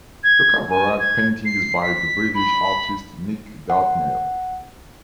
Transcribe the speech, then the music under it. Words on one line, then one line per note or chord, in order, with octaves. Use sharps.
The cover art painting is by the British artist Nic Dartnell.
G#6
G#5
G#6
C7
B6
B5
F#5